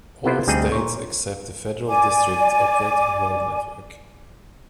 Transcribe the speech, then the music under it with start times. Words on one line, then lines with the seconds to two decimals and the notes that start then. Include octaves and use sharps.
All states except the Federal District operate a road network.
0.25 C3 B3 E4 F4 B4 C5
0.48 D2 G3 C4 D#4 G#4 D#5
0.72 A#2 C#5
1.87 D5 G#5 D6